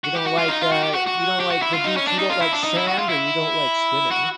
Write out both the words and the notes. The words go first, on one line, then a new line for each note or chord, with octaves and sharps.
You don't like, uh you don't like the beach you don't like sand, or you don't like swimming?
F#4
G4
F#4
F4
D#4
F4
F#4
G4
F#4
F#4
G4
F#4
E4
F4
D#4
C#4
D4
D#4
F4
E4
D4
D#4
E4
F#4
F4
E4
F#4